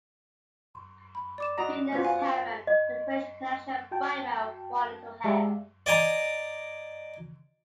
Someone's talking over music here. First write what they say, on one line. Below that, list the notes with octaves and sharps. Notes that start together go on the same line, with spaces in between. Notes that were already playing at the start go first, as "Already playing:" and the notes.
"Free" lends "Harem" the French connection Brightman wanted it to have.
B5
D5 D6 E7
F#4 D#5 A#5
B3 F4 F#4 C5
F5 G#5
D#5
F#4 G5 A5
G#3 G4 D5 E5 F5
D5 D#5 G#5 A#5